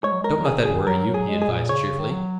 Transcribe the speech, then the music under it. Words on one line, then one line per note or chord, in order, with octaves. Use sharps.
"Don't let that worry you," he advised cheerfully.
G#3 C#5
F#3
G#3 A#4
F#3
D#3 G#4
C#3
G#4
D#3
F#3 A#4
F#3
G#4
G#3
G#4
A#2
C#3 C#5
D#3
F#3